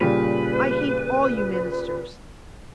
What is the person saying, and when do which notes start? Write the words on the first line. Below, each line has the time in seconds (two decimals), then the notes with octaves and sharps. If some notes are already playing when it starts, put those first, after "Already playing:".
I hate all you ministers.
0.01 A#2 C#3 G3 B4